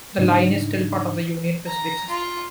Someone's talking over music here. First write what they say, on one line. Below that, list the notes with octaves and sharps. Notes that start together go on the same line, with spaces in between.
The line is still part of the Union Pacific system.
G#2 C#3 D4 D#4
A#5
F4